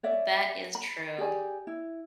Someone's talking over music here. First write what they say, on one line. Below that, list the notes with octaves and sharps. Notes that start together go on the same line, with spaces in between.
That is true,
C#5 D5 E5
B5
G4 G#4 D5 G#5
E4